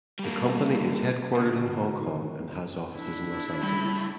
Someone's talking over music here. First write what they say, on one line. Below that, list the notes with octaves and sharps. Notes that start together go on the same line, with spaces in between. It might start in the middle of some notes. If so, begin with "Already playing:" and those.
The company is headquartered in Hong Kong and has offices in Los Angeles.
G3 A#3
D2 B2
D4 E4
A2 G3 B5